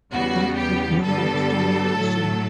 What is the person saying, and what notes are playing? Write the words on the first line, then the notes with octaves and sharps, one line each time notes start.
That group member was Sonya Larson.
E2 C#3 G3 B3 F#4
G4
G2 D3 G3 B3 A4
A2 F#3 A3